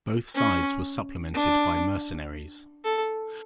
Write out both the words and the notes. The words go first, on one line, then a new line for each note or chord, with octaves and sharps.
Both sides were supplemented by mercenaries.
C#4
D4
A4